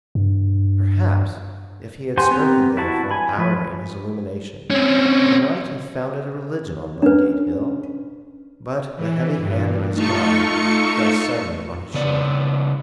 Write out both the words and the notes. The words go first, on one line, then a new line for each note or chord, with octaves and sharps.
Perhaps if he had spoken there for an hour in his illumination he might have founded a religion on Ludgate Hill. But the heavy hand of his guide fell suddenly on his shoulder.
G2
G4 C5 F#5 G#5 C6
B3 C4 G4 B4 A#5
E4 F#4 A5
G#5 B5
F3 B4
C4 C#4
C#4 D4 B4
E3
G2
A3 D#4 F4 A4 C#6 C#7
C#3 B3 D5